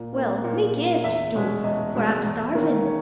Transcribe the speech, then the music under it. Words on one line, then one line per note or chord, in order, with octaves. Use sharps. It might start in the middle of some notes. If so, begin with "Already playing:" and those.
Well, mak' eeaste, do, for I'm starvin'.
Already playing: A#2
A#3 C#4
A#2
A#3 C#4
E2 E5
B2 G#3 C#4
E2 D#5
B2 G#3 C#4
E2
D#3 A#3 C#4
C#5